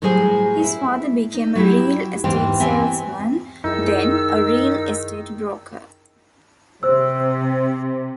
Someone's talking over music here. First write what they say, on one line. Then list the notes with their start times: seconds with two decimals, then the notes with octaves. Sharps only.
His father became a real estate salesman, then a real estate broker.
0.02 A2 F#3 G3 G#4 C5 G#5
0.64 E4
1.34 D#4
1.55 F#3 E4 G4
2.24 E2 G#2 E3 G4 C5 G5
2.60 E2 C4 E5 G#5
3.64 F#2 D#3 D#4 E4 G#4 E6
6.83 C3 C5 E6